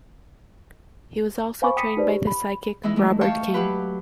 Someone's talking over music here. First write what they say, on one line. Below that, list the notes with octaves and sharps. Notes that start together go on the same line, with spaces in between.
He was also trained by the psychic Robert King.
C5 F5 G#5 B5 C#6 D6
G5 B5 D#6 B6 C#7 D#7
D#4 G4 B4 C5 D5
G4
B5
E3 G#3 D#4 E4
G#3 A3
C#5 F5 G5 A5 C#6
F#3 G4 B4